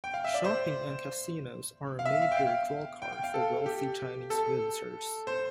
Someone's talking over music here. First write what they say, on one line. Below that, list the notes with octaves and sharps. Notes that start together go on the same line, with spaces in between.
Shopping and casinos are a major drawcard for wealthy Chinese visitors.
G5
F5
E5
D5
C5
F5
E5
F5
G5
F5
G5
G5
F5
A4
G4
A4
C5